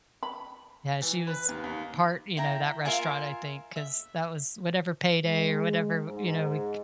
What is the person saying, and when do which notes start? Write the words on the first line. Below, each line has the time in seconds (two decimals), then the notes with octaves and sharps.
Yeah, she was part, you know, that restaurant, I think, 'cause that was whatever payday or whatever, you know, we
0.23 B5
1.02 E3
1.27 B4
1.49 D#2
1.64 D#2
2.37 E4 G5 A#5
2.85 F4 A#4 E5 G#5
3.76 E5
5.23 G#3
6.07 G#2